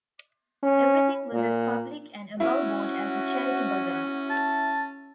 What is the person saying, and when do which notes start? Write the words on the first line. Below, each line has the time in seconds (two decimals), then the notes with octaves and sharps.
Everything was as public and above-board as a charity bazaar.
0.63 C#4
1.33 A#2
2.40 C#4 E4 F#4
4.30 A5